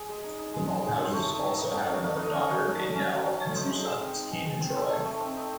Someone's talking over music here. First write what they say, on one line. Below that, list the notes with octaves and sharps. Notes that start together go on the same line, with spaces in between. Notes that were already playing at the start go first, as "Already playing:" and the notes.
The Malthouses also have another daughter, Danielle, and two sons, Cain and Troy.
Already playing: G#4
G#3
D#4
D#4
G#3
G#3
D#4 G#4
D#4 A4
C5
A3 C#5
A3
D#4
D#4
A3
A3
D#4
D#4 D#5
C#4 C#5
F#3
F#3
A3
C#4
F#3
F#3
A3
D#4 C5
G#3
G#3
C4
D#4
G#3
G#3
C4
D#4 A4
A3
A3
C4
D#4